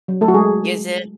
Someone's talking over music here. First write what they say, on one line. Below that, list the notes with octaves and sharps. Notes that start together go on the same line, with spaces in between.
Is it?
F#3
A3 A4
F#3 F#4
G#3 G#4